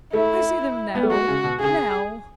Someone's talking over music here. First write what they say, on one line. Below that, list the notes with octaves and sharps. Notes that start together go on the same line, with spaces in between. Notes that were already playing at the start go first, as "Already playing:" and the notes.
I see them now--now!'
A3 E4
B3
A3
G#3 F#4
C#3
B2
C#3 G#4